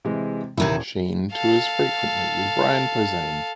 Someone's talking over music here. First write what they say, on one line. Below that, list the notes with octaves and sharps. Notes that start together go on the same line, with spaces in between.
Sheen tours frequently with Brian Posehn.
C3 E3 G#3
D#1 C3 D#3 E3 E4 G#6
A4 F5